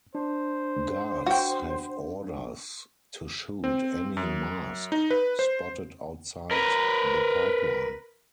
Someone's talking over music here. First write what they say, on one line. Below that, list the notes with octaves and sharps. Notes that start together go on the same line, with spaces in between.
Guards have orders to shoot any "mask" spotted outside the Pipeline.
D4 C5
F#4 G5
C4
F#2
D#4
B4
C5
A#4 B4